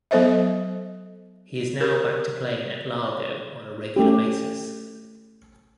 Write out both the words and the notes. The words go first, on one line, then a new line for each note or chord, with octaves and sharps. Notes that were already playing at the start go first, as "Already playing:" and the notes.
He is now back to playing at Largo on a regular basis.
F#3 B3 A4 C5 D#5 E5
G4 A#4
A3 C#4 G4